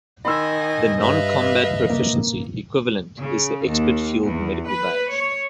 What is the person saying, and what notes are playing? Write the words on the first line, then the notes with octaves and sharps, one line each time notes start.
The non-combat proficiency equivalent is the Expert Field Medical Badge.
D#3 D#5 G#5 B5 C6 E6
G2 B4 E5 F5
A#3
C#3
D#2
E2
B4
C#5